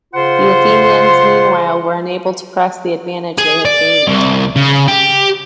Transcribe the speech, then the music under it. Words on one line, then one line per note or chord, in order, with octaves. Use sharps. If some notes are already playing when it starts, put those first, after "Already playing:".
The Athenians, meanwhile, were unable to press the advantage they had gained.
C#3 F4 C5 F#5 C6
G#4
D5
C2
C#3
G4